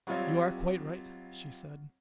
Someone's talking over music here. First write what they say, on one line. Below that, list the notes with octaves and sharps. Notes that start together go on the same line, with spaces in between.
'You are quite right,' she said.
F#3 G3 C4 F4 C#5 D#5